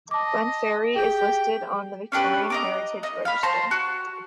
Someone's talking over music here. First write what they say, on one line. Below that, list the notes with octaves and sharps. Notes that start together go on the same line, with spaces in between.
Glenferrie is listed on the Victorian Heritage Register.
D#5 A5 D6
G4 G#4 G5
C#4 D4 G4 B4
D#5 A#5 D6
D#5
F5 B5
C5 A5 A#5 C6
F#4